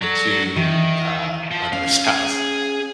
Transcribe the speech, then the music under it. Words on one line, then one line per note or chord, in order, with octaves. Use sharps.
to, uh, my mother's house?"
F#3 F#4 A4 D5
D#3 E3
F3
C#4 F5
G#4